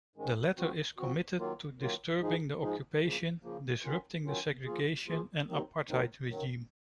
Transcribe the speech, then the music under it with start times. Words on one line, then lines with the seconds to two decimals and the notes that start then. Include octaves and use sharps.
The latter is committed to 'disturbing the occupation, disrupting the segregation and apartheid regime'.
0.16 G#2 D#3 G#3 C#4
0.57 F3 C4 F#4
0.98 F3 C4 F#4
1.38 D#3 F#3 A#3 F4
1.80 D#3 F#3 A#3 F4
2.20 G#2 F3 G#3 D#4 G#4
2.61 G#2 F3 G#3 D#4 G#4
3.02 C#3 F3 A#3
3.43 C#3 F3 A#3
3.84 D#3 F#3 C#4 F4
4.25 D#3 F#3 C#4 F4
4.65 F3 A#3 F4 G#4
5.07 F3 A#3 F4 G#4
5.47 D#2 D#3 F#3 C4 D#4
5.89 D#2 D#3 F#3 C4 D#4
6.29 F#2 D#3 F#3